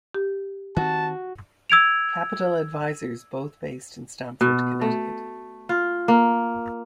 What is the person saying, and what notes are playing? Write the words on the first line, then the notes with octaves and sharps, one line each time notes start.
Capital Advisors both based in Stamford, Connecticut.
G4
D#3 C4 F#4 A5
E6 G#6 D7 F7
B2
A3
F4
A#3